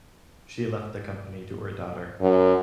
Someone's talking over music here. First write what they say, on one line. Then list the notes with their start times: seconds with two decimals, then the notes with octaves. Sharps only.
She left the company to her daughter.
2.20 F#2